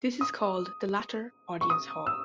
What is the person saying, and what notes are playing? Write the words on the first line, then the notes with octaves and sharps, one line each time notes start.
This is called the latter audience hall.
D#6
C#6
D#6
E6